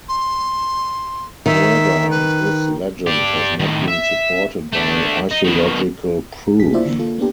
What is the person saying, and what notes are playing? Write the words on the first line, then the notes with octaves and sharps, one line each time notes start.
However, this legend has not been supported by archaeological proof.
C6
D#3 E5
B4
D4 G4
A2 D#3
E5
A3 D4
D#4
B2 D#3
A#1 G#4 B6
A#3 E4 F4 C5 D5 E5
D3 E3 A#3
A#3 F4 A4
A#3 B3 D4 G4